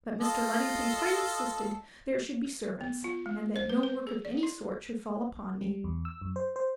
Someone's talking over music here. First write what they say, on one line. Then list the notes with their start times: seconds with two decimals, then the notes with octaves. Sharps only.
But Mr. Luddington quite insisted there should be servants, and that no work of any sort should fall upon me.
0.21 F4 A4 D#5
2.81 B3
3.04 F4
3.26 G#3
3.56 C5
3.70 B4
3.83 B4
4.07 G#4
4.25 D5
4.43 E4
5.61 G3
5.84 E2
6.05 E6
6.21 F#2
6.36 C5
6.56 C5